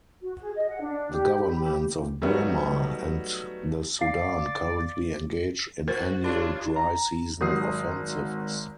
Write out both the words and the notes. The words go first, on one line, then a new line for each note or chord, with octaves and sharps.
The governments of Burma and the Sudan currently engage in annual dry season offensives.
F#4
G#4
D#5
F#5
D4
G4
B5
G4
F#3 G3 A3 B3 D#4 F#4
D5 F5 C7
F#4 A#4 C5
D4 F4 G4 C#5
A#5
G#1 F#3 D#6 C7